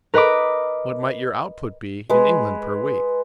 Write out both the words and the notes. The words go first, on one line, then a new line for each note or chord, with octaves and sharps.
What might your output be in England per week?
A#4 B4 D#5 B5 D6
G#3 B4